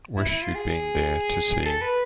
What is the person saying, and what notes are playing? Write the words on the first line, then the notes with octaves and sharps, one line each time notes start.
Wish you'd been there to see.
E4
E4
F4
G#4
A4
B4